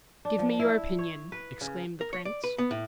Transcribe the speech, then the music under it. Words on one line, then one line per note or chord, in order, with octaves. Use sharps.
"Give me your opinion," exclaimed the prince.
D4
F3
E4
C#5
B4
C#3
A#4
C#5
D5
B4
B3
A2